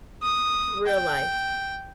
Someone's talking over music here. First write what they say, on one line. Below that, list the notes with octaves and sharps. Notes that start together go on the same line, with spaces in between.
Real life.
D#6
G5